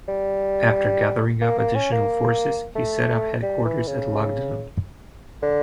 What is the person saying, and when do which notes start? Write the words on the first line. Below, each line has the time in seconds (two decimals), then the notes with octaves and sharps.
After gathering up additional forces, he set up headquarters at Lugdunum.
0.08 G3
1.42 A#3
1.59 A#3
1.75 C#4
1.92 A#3
2.75 A3
3.42 G3
3.65 E3
3.87 C#3
5.43 D3